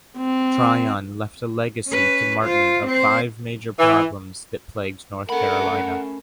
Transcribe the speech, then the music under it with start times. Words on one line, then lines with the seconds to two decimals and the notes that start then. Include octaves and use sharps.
Tryon left a legacy to Martin of five major problems that plagued North Carolina.
0.18 C4
1.89 C#4 B4
2.41 F4 C5
2.87 C4 C5
3.79 E3
5.30 A3 C#4 A#4 F#5 B5